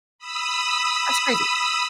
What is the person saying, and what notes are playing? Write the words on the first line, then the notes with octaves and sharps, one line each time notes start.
that's crazy.
B5 D#6 E6